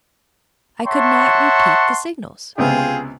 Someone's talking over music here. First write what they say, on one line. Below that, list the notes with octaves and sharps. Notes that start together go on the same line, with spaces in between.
"I could not repeat the signals."
C#5 E5 F#5 A5 C6 C#6
C#2 C3 B3 F4 G#4 G5